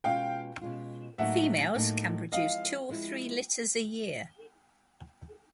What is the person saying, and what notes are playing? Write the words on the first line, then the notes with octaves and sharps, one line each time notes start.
Females can produce two or three litters a year.
B2 G#3 C#4 F4 F5 G5
B2 G#3 C#4 F4
A2 F#3 A#3 D#4 E5 F#5
A2 F#3 A#3 D#4
F3 G#3 C4 E4 D#5 F5
F3 G#3 C4 E4